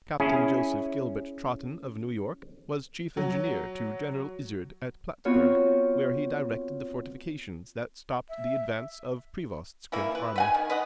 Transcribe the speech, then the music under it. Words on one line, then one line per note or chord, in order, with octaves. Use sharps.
Captain Joseph Gilbert Totten, of New York, was chief engineer to General Izard at Plattsburg, where he directed the fortifications that stopped the advance of Prevost's great army.
C#4 E4 G#4
F#3
B3 C4 F4 F#4 C#5
E5
E3 F3 A#3 E4
B4
B4 F#5 G#5
D#3
B4 D#5 F#5